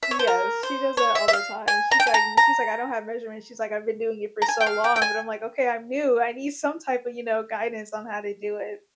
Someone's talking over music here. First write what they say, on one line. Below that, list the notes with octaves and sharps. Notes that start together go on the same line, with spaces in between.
Yes, she does it all the time, she's like m she's like, "I don't have measurements." She's like, "I've been doing it for so long." But I'm like, "Okay, I'm new. I need some type of, you know, guidance on how to do it."
E5
C#5
C5
A#4
C5
C#5
E5
E5
F5
G#5
A#5
G5
G#5
A#5
A#5
A#5
G#5
G5
F5
G5
G5
G#5